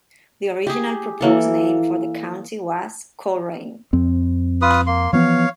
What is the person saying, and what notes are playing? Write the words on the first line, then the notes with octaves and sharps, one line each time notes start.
The original proposed name for the county was "Colerain".
G4 G#4
E3 A#3 A4
F2 C4
F4 B4 D#6
A#3 C6
E3 F3 B3 C#5 F5